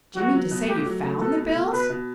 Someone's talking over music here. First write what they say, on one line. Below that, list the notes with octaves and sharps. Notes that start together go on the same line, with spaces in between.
"Do you mean to say you found the bills?"
F#3 F#4
F#3
B2
A3 G4
F#3
A3
B2 A4
A3
B2
B2 B4
B2